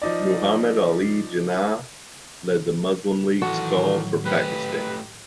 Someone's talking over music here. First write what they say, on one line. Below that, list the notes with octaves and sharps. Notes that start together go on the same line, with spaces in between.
Muhammad Ali Jinnah led the Muslim League's call for Pakistan.
F3 D#4 D5
A2 D#3 E3 F#3 F#4 A4
A3 G4 B4